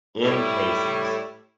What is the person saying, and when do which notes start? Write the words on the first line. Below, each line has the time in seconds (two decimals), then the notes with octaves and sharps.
in Casey's,
0.24 A2 G3 E4